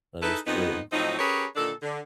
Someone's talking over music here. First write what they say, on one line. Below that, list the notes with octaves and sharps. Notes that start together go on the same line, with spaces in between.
That is true.
D#4 E4 G#4 A4 B4
F2 B3 D#4
A2 F3 F#3 C4 D#4
C#4 G4 G#4 A#4 B4 C#5
A#2 D3 D#3 D4 A4
D3